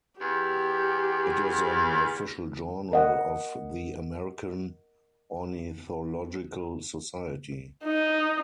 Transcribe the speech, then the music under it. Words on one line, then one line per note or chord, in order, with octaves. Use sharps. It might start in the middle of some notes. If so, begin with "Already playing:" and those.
It is an official journal of the American Ornithological Society.
E2 G4
A#4 D#5 F#5
D#4